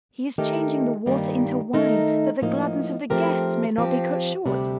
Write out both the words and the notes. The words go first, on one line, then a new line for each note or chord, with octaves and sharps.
He is changing the water into wine that the gladness of the guests may not be cut short.
D#3 A3 D#4 G4 A#4
G2 D#3 G3 A#3 D#4
D#3 A3 D#4 A#4
A2 F3 A#3 D#4
F3 A3 C4 G4 A#4
F3 C4 G4
D2 C3 G3 D4